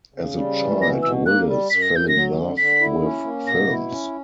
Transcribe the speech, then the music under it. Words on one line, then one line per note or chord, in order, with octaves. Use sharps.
As a child, Willis fell in love with films.
C#3
G3
E3
B2 A#6
B2 E6
A#3 F#6
G3
F#2 B6
A#6
F#2 G6
F#3 A#6
D3
D3 B6
E4
C#4
A#3
B2 A#6
E4
C#4